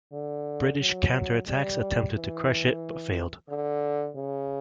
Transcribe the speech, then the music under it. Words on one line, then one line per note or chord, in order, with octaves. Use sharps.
British counterattacks attempted to crush it but failed.
D3
F#3
G3
E3
D3
C#3